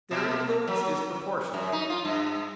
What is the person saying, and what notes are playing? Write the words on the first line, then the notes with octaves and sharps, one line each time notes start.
Their influence is proportionate.
B2
F#3
F#2
D#4
F4
G2